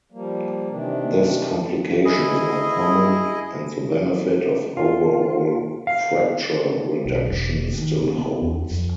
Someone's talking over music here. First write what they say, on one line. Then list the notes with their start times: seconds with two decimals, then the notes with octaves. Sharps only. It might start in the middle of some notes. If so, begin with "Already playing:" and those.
This complication is not common, and the benefit of overall fracture reduction still holds.
0.12 F3 G3 A#3
0.68 C3 D#3 E3 D4
2.05 E4 G#4 D#5
4.77 F4
5.87 F5
7.06 B1
7.28 E1
7.79 D#3
8.02 C#3
8.18 B3
8.42 E2
8.71 F2